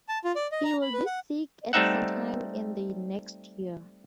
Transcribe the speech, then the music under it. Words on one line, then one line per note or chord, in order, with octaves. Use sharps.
He will be sick at some time in the next year.
A5
F4
D5
D#5
A#5
B5
B4
F#5
G3 A3 C4 D#4 E5 F#5